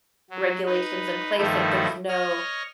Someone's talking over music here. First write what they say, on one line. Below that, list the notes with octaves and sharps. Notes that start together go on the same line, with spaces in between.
regulations in place if there's no,
F#3
D#4 B4
G2 D#3 F3 A3 D#4 E4
C#5 D#5 F6